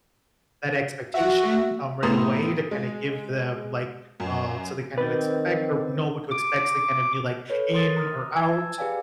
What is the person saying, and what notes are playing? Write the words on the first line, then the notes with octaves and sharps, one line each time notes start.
that expectation, um, right away to kinda give them, like, uh so they kind of expect or know what to expect, so they kinda be, like, in or out,
F#4 E5
A2 B3 A#5 C6 D#6 E7
G#3
F#2
D#3 C4 B4 D5
D6
A4 B4 C#5
A#4 C6 D#6 A6
A#5 D#6 F6
A5 E6 G#6
G4 G#4 B4 D5 F5 G#5